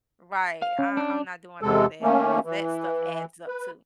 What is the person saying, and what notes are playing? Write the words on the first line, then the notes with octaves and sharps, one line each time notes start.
Right. I I'm not doing all that because that stuff adds up too.
F5
C#4
D4
E2 C3 G#3 A4
D#3 A3 A#3 C#4
E3
B4